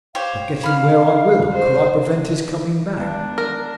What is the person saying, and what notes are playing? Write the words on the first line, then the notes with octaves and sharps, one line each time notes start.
"But get him where I will, could I prevent his coming back?"
G4 C5 C#5 F5
F5 B5 F6
C5
D#3 G#3 B3 D4
A#4